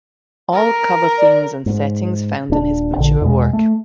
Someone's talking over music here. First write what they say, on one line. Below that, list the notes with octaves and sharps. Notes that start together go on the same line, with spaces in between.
All cover themes and settings found in his mature work.
A#4
D5
G#2
D#1 D4
A#1 D3
E2 B2 G#3
A3